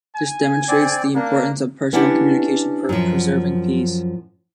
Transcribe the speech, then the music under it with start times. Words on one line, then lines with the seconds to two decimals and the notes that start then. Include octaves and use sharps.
This demonstrates the importance of personal communication for preserving peace.
0.16 G#5
0.68 C4 D5
1.15 A#3 D4
1.93 B3 C#4 D4 E4 F#4 G4
2.89 F#2 F3